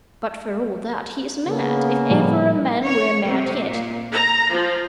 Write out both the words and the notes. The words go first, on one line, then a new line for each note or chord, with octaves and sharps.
But, for all that, he is mad, if ever a man were mad yet.
C#3 A#3 B3
A2 F3 G3
C#5
C3
A#2
A#5
F3